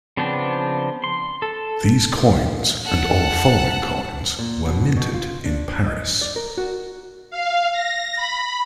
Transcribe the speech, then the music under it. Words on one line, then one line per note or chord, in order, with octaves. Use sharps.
These coins, and all following coins, were minted in Paris.
C#3 F3 B3 C4 D4
C6
A4
A4 F#5
A#2
B2
B2
F4
D4
D#5
D5
A#4
F#4
F5
A#6
B5